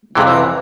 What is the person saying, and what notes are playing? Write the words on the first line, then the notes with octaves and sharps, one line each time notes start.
you know
F2 C3 E3